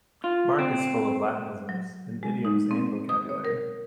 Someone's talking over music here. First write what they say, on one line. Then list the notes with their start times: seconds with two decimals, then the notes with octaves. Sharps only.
Mark is full of Latinisms, in idioms and vocabulary.
0.24 F4
0.59 C4
1.69 F#3
2.23 G#3
2.45 D#4
2.71 C4
3.09 D#6
3.29 C#5
3.45 A#4